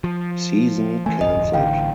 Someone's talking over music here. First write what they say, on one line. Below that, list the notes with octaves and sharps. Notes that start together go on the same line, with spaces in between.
Season canceled.
F3
E3 A3 G#5
D1 G1 F2 D#5
A1 D3 E3 F5 G5